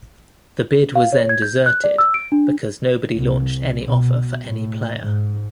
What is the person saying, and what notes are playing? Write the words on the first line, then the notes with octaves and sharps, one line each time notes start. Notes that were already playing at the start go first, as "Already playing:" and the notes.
The bid was then deserted because nobody launched any offer for any player.
F5
C#5
G#6
G6
F#6
D5
E6
D7
D4
C2
B2
A2
G#2